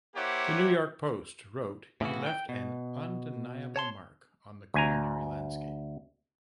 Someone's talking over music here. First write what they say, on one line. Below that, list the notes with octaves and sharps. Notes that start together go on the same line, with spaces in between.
The "New York Post" wrote he left an undeniable mark on the culinary landscape.
A#3 E4 G4 C5 C#5 F#5
A2 C#3 E3 F#4
G5
B2
C#5 A5 C6
D2 G#5 A#5